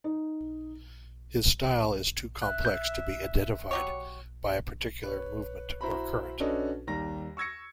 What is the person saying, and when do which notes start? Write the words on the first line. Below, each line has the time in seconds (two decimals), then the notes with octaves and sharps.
His style is too complex to be identified by a particular movement or current.
0.04 D#4
2.42 E5 F#6
2.65 G6
3.71 F#3 G4 C#5
5.03 B4 C#5
5.81 E4 F#4 C5 A#5 B5
6.40 C#4 D4 F#4 A4 B4 D#5
6.87 D#2 D#3 G3 A#5 A#6
7.37 C#6 E6 G#6 A#6 C#7